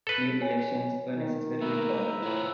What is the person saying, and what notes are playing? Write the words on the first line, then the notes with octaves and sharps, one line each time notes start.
New elections were necessarily called.
A4 B4
C#5 G#5
D#3
A3 A#3 B4 E5 A#5
A2 E4 F4 C5